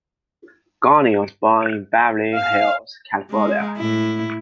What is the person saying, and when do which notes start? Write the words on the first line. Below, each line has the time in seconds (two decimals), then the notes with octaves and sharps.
Gorney was born in Beverly Hills, California.
2.36 F5
3.31 G#3
3.77 A2 E4